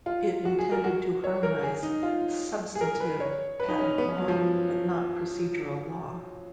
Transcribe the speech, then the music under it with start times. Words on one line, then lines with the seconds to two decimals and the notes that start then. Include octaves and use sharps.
It intended to harmonize substantive patent law but not procedural law.
0.06 F4
0.45 F#4
0.59 G#4
0.72 A#4
0.84 F#4
1.24 C#5
1.43 A#4
1.63 G#4
1.83 D#4
2.03 F4
2.75 G#4
2.81 A#4
3.00 B4
3.20 C#5
3.60 B4
3.69 D#4
3.79 C#4
3.98 B3
4.09 C#4
4.18 F#3
4.28 F3